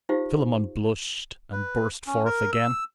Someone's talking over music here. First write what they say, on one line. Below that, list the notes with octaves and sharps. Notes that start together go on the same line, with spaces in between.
Philammon blushed and burst forth again.
D#4 F4 G4 C5 F5
B4
C#4
A#4
E6